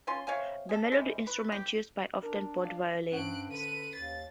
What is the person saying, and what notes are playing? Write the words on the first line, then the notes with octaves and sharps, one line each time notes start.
The melody instruments used are often both violins.
C#4 F4 G#5 C6
C3 C#5 F5 G#5
G#4 A4
C3 G3 G#3
B4
G4
D4 A#4
D5 F5
G2 C#4 C5 F#5 F#6 D7
D3 B4 D#7
D#2 A6